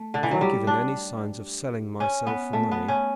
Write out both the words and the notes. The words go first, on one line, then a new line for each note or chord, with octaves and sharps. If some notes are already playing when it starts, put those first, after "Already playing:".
Have I given any signs of selling myself for money?
Already playing: A3
D3
E3
F#3
G3
D4
C#4
B3
A3
B3
C#4